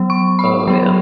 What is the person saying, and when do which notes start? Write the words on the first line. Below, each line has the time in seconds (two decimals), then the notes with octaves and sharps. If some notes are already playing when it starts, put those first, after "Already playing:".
Oh, yeah.
Already playing: F#3 B3
0.10 C#6
0.39 B5
0.67 F#3 B3 B5